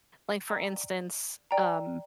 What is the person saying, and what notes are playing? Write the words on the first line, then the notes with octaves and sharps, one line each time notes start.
like, for instance, um
D5 G5 A#5 E6 G6
D5 G5 A#5